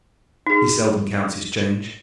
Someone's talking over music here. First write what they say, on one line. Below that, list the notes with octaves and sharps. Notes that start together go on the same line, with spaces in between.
He seldom counts his change.
D#4 G#4